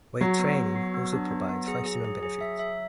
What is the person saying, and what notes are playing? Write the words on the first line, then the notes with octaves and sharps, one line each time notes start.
Weight training also provides functional benefits.
F#3 F#4
B3
B3
F#4
B3
D4
B3
B3
G#4
G#4
G#4
G#4
E5
E5